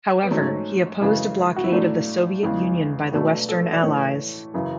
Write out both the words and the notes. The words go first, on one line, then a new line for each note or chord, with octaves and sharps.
However, he opposed a blockade of the Soviet Union by the western Allies.
B3
G#2 F#3 A3 C#4
F#2 C#3 E3 G#3
F#4
E4
A2 F#3 A3 D4
E2 C#3 E3 G#3
B2 F#3 A3 D4
A4
D5
A2 E3 A3 C#5
F#2 C#3 E3